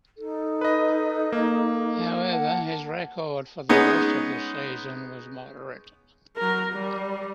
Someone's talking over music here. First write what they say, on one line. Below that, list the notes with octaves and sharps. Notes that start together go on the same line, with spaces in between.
However, his record for the rest of the season was moderate.
D#4 A4
B4 D#5
A#3
F#5 A5
G#3 B3 C#4 D#4
F#3 A#4
G3